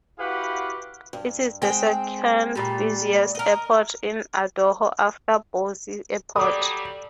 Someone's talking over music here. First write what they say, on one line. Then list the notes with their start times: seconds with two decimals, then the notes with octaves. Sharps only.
It is the second-busiest airport in Idaho after Boise Airport.
0.19 E4 F#4 G4 B4 F5 F#5
1.13 G2
1.62 G#3 C4 G5
2.55 A#2 G3
3.35 A#4 D#5
6.36 F#3 G3 A4 D5 D6 D#6